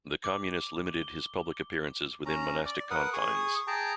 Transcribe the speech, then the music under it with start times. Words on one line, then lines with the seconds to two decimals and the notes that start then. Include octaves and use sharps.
The Communists limited his public appearances within monastic confines.
0.24 D6
0.95 G7
2.26 C#4 A#5
2.65 D5
2.90 A#4 B4 F#5 D#6
3.13 G#4 C#6 D#6
3.67 G#4 G5 A5 A#5